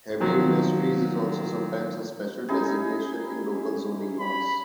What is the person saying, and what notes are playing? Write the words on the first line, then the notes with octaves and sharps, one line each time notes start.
Heavy industry is also sometimes a special designation in local zoning laws.
D#3 F3 F#3
C#4 D#4 E4 G4 G#4
B5